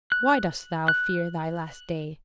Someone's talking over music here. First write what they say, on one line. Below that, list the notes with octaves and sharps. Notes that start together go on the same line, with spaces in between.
Why dost thou fear thy last day?
F#6
F#6